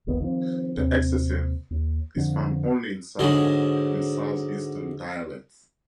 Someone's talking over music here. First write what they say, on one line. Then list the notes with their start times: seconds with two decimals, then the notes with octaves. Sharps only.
The exessive is found only in Savo and southeastern dialects.
0.07 E1 A#1 D#3 B3
0.20 D#3 F3 G#3 C4
0.77 D#2 C3 C4
1.70 D#2
2.16 F2 D3 F3
3.19 G#2 D3 F#3 G#3